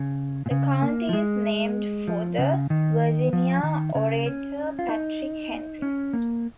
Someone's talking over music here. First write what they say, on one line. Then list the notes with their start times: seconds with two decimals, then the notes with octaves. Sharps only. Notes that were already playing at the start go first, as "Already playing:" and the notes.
The county is named for the Virginia orator Patrick Henry.
Already playing: C#3
0.46 A#2
0.51 C#3
0.82 A#3
1.09 F3
1.13 G#3
2.07 F3
2.38 C#3
2.70 D#3
3.33 F3
3.63 D#3
3.95 C#3
4.26 C#4
4.79 F4
4.89 D#4
5.82 C#4
6.13 A#3